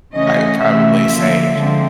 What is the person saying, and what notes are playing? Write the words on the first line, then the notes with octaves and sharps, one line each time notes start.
I would probably say
C#3 E3 A3 C#4 D#5
C3 E3 A3 C#4 E5
D3 F3 A#3
D3 F3 G#3 C4